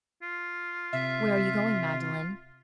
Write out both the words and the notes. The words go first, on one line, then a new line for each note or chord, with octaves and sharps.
"Where are you going, Magdalen?"
F4
C3 E5